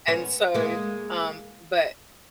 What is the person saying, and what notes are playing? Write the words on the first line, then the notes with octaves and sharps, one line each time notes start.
And so, um but
B3 C#4
G#3 A#3